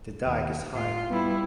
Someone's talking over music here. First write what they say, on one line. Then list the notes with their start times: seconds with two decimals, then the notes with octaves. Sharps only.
The dyke is high.
0.25 D#2
0.75 A2 F4
1.10 G3 B3 E4